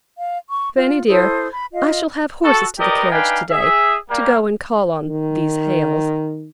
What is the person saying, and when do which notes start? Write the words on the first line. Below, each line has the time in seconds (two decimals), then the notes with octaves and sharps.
'Fanny dear I shall have horses to the carriage to-day, to go and call on these Hales.
0.17 F5
0.50 C#6
0.77 F4
1.08 E4 A4 C5 D#6
1.51 B5
1.73 F4 D#5 F5
2.45 F#4 A4
2.78 D#4 G4 A#4 B4 D5 D#5
3.11 D4 D#4 B4 F5 G5 G#5
3.51 G#4 E5
4.09 G3 A#3
5.09 D#3